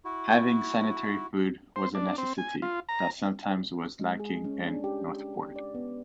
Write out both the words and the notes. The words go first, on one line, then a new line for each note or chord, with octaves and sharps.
Having sanitary food was a necessity that sometimes was lacking in Northport.
E4 F#4
C5
D4
C4
G#5
F4
A#5
G#3
G#4
C#4
D4
G4
D5
B3